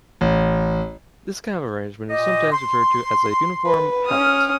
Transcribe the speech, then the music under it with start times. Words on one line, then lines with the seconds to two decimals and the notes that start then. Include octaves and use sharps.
This kind of arrangement is sometimes referred as a "uniform palette".
0.21 A1
2.10 A#2 G4 D#5
2.52 C6
3.66 B4
4.06 C#4 D#6 F6